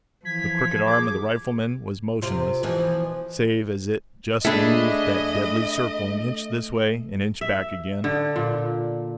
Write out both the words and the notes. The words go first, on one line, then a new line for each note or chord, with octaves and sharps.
The crooked arm of the rifleman was motionless, save as it just moved that deadly circle an inch this way, an inch back again.
E3 F3 G#6 B6
G#4 D6
C3 F4
B2 E3 F3
A3 D4 G#4 A4 D#5 E5 B5
E5
D3
A#2